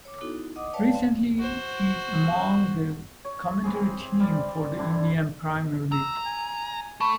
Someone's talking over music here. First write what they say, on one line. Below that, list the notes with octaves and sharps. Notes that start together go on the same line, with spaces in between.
Recently, he is among the commentary team for the Indian Premier League.
C#5 D6
B3 D#4 E4 F#4 A4
D#5 F#5 D6 D#6
B4 C#5 D5 F5 G5 A5
C4
F#4 C5
C#5
C3 E3 C4 G#4
G3 D5
D3 C4 D4 E4
A#5 E6
G#5
A3 B5 C#6